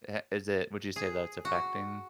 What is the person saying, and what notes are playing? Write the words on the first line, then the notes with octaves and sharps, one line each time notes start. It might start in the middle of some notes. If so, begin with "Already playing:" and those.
Ha is it would you say that it's affecting
G#4
F#4